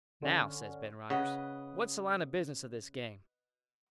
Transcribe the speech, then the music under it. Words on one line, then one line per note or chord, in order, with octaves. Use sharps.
"Now," says Ben Rogers, "what's the line of business of this Gang?"
D3 C#4
C#3 B4 D#5 F#5